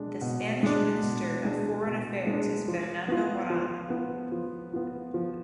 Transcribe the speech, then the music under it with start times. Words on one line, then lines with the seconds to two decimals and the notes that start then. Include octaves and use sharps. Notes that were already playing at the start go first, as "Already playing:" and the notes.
The Spanish Minister of Foreign Affairs is Fernando Morán.
Already playing: B2 G#3 D4
0.21 B2
0.63 G#3 D4
1.03 B2
1.45 G#3 D4
1.86 B2
2.27 G#3 D4
2.68 F3
3.08 B3 F4
3.50 F3
3.90 B3 F4
4.32 F3
4.73 B3 F4
5.14 F3